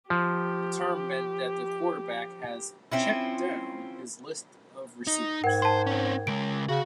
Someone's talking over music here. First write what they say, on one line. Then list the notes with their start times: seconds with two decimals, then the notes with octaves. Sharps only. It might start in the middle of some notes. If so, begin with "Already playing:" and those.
The term means that the quarterback has "checked down" his list of receivers.
0.10 F3 G4
2.92 F3 C4 C#4 E4
5.07 D#4
5.44 G#2 A#4 F#5 G5 G#6
5.62 C5 A5 C6
5.87 C4 C#4
6.27 C#3 G#3 D7
6.69 C#3 F#4